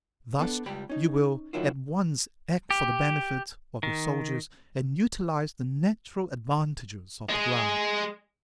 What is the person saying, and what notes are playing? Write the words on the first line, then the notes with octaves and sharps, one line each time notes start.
Thus you will at once act for the benefit of your soldiers and utilize the natural advantages of the ground.
B3 D4 A4
C#2 G3 G5 B5
C#4 D#4
D2 D#3 F#3 E4 F4
G4
D#3
G#3 G#4